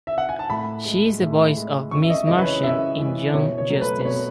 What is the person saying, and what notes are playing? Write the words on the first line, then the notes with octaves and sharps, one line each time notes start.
She is the voice of Miss Martian in "Young Justice".
E5
F#5
G#5
A5
A2 B5
G#3
A2
G#3
F#2 C#6
E5
D#5
C#3 E3 G#3 D#5
B4
C#5
F#2 E5
C#3 E3 G#3
B2 C#5
C#5
F#3 A3
B4
B4
B2 C#5